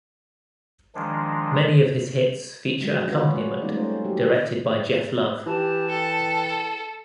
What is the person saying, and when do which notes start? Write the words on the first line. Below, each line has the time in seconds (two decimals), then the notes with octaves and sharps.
Many of his hits feature accompaniment directed by Geoff Love.
0.95 D#3 F3 G#3 D4
2.81 F3 F#3 G#3
3.08 C#4 F4 F#4 B4
3.31 G#3 C#5 D5
3.62 G3 A3 A#3 C#4 D#4 D5
3.76 A3 C#4 C5 D5
4.04 F#3 G4
5.46 E3 G4 A5
5.90 A4 G5